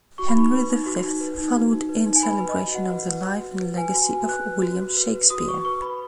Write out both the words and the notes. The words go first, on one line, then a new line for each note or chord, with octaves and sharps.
"Henry the Fifth" followed in celebration of the life and legacy of William Shakespeare.
F#4 C#6
B5
D#4 C#6
B4
D#4
F#4
D#4
B4
D#4
F#4
D#4
B4
D#4
G#5
B4 B5
B4
D#5
F#4
F#4 F#5
B4
B4
F#4
F#4
B4
B4 G#5
F#4
F#4
B4 F#6
B4
F#4
F#4
B4
B4
F#4 D#6
F#4 C#6
B4 C#6
B4 B5